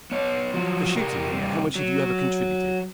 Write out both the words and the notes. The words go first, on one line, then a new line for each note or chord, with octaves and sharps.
"For shooting here, how much have you ever contributed?"
B3 C#5
F3 F#3
C3 G4 A#4
G2 C3
F#3